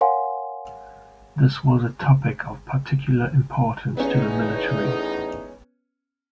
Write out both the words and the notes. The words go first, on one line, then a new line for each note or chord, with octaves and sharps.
This was a topic of particular importance to the military.
A#4 C#5 F5 F#5 G#5 C6
E2 A2 B3 C#4 D#4